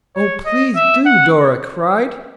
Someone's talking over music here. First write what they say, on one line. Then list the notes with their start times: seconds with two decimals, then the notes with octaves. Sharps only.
"Oh, please do," Dora cried.
0.16 C#5
0.46 D#5
0.76 E5
1.06 F#5